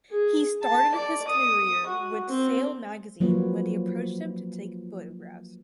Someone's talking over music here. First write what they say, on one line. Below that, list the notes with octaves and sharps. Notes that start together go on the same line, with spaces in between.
He started his career with "Sail Magazine" when they approached him to take photographs.
G#4
A5
D5
D#6
F#4
C4
F3 F#3 A#3 F4 B4 C#5